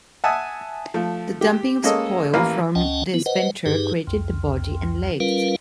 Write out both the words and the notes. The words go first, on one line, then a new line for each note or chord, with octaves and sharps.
The dumping of spoil from this venture, created the body and legs.
E5 F#5 G#5 A5 D#6
F3 A3
G4
G#3 A#3 C#4 A4 D#5
A1 E3 A#3 F5 A#5
C#2 C#4 D#5 F#5 G5 A5
B3 E4
B4 C5 D#5 F#5
G2 D#4 G4 G#4 B4
C2 F2
G3 C#4 F4 A#4 B4 F5